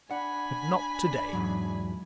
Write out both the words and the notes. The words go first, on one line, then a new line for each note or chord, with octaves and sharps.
But not to-day.
D4 F#5 G#5 B5
E2 G#2 F#3